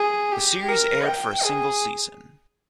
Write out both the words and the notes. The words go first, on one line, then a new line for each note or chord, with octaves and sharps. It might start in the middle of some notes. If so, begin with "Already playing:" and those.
The series aired for a single season.
Already playing: G#4
G4
A#4
G5
G#4